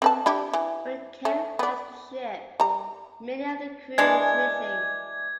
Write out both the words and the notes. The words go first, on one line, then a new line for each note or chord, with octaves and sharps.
When Ken finds the ship, many of the crew is missing.
C4 B4 A5
D4 E4 G4
E3
A3
B3 D5
G3 A#5
E3 G#3 D4 G#6